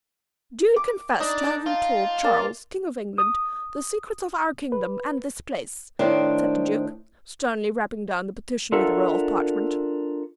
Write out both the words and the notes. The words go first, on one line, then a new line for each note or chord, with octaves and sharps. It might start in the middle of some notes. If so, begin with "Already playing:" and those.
"Do you confess to having told Charles, King of England, the secrets of our kingdom and this place?" said the duke, sternly rapping down the petition with a roll of parchment.
D6
D4 D#4
A5
F4
A#3 D5 A5
D#6
B4
A2 D#3 D4 G4 C5
D4 F4 A4 A#4 E5 F#5